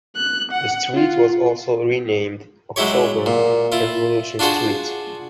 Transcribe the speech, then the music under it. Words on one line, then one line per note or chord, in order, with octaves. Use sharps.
The street was also renamed "October Revolution Street".
F#6
F#5
F4
F#3 G#3 E4 G4 C#5
A#2
E4 F4
D4 F4 F#4 G#4 C5